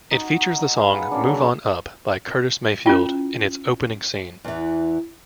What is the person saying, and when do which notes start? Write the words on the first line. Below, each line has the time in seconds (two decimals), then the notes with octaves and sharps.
It features the song "Move On Up" by Curtis Mayfield in its opening scene.
0.11 D#4 F#4
0.59 A#5
0.76 G#4 B4 F5
0.94 F#5
1.11 C#3 A#3 D4
1.28 F#3
2.86 C#4 E4 F4 G5
4.44 E2 E3